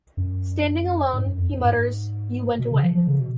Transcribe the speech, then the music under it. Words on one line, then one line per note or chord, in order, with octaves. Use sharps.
Standing alone, he mutters: You went away.
F#2
G#2
F#2
F2
F#2
G#2
B2
C#3
F3
F3
C#3
B2